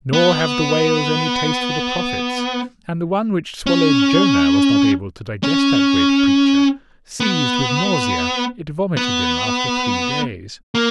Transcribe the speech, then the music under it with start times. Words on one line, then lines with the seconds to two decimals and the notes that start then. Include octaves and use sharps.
Nor have the whales any taste for the prophets, and the one which swallowed Jonah was not able to digest that great preacher; seized with nausea, it vomited him after three days.
0.13 B3
3.67 C#4
5.43 C#4
7.20 B3
8.97 B3
10.75 A#3